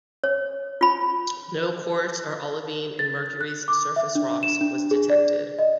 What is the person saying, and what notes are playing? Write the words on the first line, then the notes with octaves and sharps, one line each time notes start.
No quartz or olivine in Mercury's surface rocks was detected.
C#5
F4 B5
A6
F#6
D6
E5
D4
E7
D4
G#4
D5
D#5